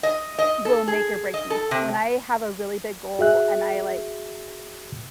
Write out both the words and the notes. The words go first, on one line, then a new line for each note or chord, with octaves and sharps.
i will make or break me. When I have a really big goal and I, like
D#5
D#5
A4
G#4
D#5
A4
C3
F#4 G#4 E5 F#6